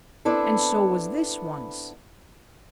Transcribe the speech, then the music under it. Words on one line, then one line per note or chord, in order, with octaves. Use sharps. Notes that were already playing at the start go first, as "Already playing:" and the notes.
And so was this one's.
B3 C4 D4 E4 A4